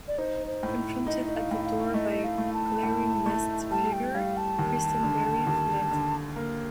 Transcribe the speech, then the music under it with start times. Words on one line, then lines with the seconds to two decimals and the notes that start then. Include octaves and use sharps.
Confronted at the door by a glaring masked figure, Christenberry fled.
0.08 D5
0.18 D#4 C5
0.47 C5
0.63 A2
1.06 D#4 D#5
1.35 F5
1.51 A2
1.65 F5
1.94 A3 D#5
2.24 F5
2.38 A3
2.54 A5
2.83 A2
3.26 A3
3.71 G3 A5
3.93 G5
4.15 G3 F5
4.37 A5
4.59 D#2
5.03 D3
5.47 D#2
5.91 D3
6.36 A#3